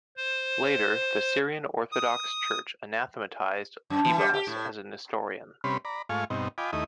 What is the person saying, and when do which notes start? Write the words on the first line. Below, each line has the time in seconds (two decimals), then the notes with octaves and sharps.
Later, the Syrian Orthodox Church anathematized Ibas as a Nestorian.
0.17 C5
1.92 D#6
3.90 F#2
4.05 E3
4.18 G3
4.34 G4
4.47 A2
5.64 C3 G3 C#4 B4 B5 C6
5.85 D5 A#5 B5
6.09 G#2 A3 F4 F5 G#5 C#6
6.30 G2 B2 C4 D#4
6.58 F4 D#5 G5 G#5 B5 D6
6.73 D#2 A3 D#4 E4 D#6